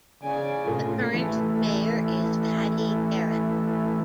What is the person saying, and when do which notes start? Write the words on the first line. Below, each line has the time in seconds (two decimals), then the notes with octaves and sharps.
The current mayor is Patti Garrett.
0.23 C#3 D5 G#5
0.68 A2 C3 F4 A4
1.14 E3 A3